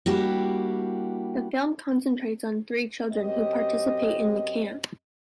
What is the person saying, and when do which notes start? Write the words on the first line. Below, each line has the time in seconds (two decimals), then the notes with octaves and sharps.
The film concentrates on three children, who participate in the camp.
0.06 G3 A#3 D4 E4 F#4 G4
3.12 F#2 C4 G4 D#5